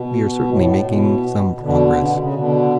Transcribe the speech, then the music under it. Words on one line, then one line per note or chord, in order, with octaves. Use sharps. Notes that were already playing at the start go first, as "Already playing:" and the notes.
We are certainly making some progress.
Already playing: B2
A2
B2
B2 D3
C#3
B2
C#3
B2 D3